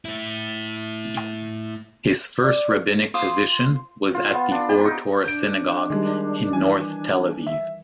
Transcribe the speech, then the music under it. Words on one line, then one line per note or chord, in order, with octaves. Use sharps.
His first rabbinic position was at the Ohr Torah synagogue in North Tel Aviv.
A3 E4
D5
F4 C5 D6 D#6
F4
B3
D4
G4
D#4
D4 G6 D7
D#3 G3 G#3
E3 G#5
E5